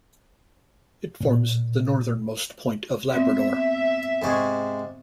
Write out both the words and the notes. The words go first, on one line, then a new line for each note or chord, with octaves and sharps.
It forms the northernmost point of Labrador.
A#2
B3 C4 E5
G#2 C3 G#3 G#5 C#6 G#6